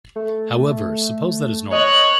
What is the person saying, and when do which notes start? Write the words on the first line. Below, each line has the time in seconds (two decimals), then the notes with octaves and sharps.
However, suppose that is normal.
0.16 A3
1.72 C#5 D#5 F#6